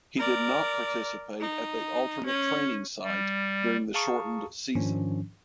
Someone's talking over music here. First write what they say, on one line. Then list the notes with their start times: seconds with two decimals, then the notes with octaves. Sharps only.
He did not participate at the alternate training site during the shortened season.
0.17 A#4 D5
1.41 D#4
2.26 C#4
3.03 G3
3.94 G#4 F5 A5 A#5 C#6 D#6
4.75 G#2 D#3 F3 C#4 D4